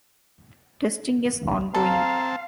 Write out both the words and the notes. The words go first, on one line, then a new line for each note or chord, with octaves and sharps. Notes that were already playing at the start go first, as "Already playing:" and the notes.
Testing is ongoing.
C4 A4 F5 A5 A#5